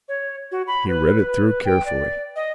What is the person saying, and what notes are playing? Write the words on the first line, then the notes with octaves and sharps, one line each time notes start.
He read it through carefully.
C#5
F#4
B5
B4
G5
D5
D#5